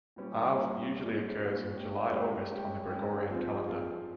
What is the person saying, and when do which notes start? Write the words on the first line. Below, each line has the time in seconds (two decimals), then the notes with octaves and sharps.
Av usually occurs in July–August on the Gregorian calendar.
0.16 A#2 G3 C#4
0.56 A#2 G3 C#4
0.95 A#2 G3 C#4
1.34 A#2 G3 C#4
1.73 G#3 C#4 G4
2.12 G#3 C#4 G4
2.51 G#3 C#4 G4
2.90 G#3 C#4 G4
3.29 F3 C4 F4 G#4
3.68 F3 C4 F4 G#4